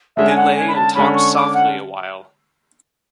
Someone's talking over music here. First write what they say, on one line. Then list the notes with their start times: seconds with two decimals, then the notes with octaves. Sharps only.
They lay and talked softly awhile.
0.17 D3 G#3 C#4 E5
0.30 G#5
0.36 F#5
0.57 G#5
0.68 B5
0.76 A5
0.95 D3 G#3 C#4 B5
1.14 C#6
1.35 D6
1.54 F#5